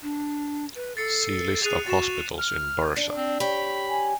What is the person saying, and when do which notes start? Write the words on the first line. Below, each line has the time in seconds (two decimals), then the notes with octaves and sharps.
See List of hospitals in Bursa.
0.02 D4
0.75 B4
0.97 A4 A6 C7 C#7
1.63 G#4 F#6 D#7 F7
1.86 F#4 A6 E7
2.39 F6
2.96 D4
3.16 C4
3.40 G4 C#5 B5
3.88 G#5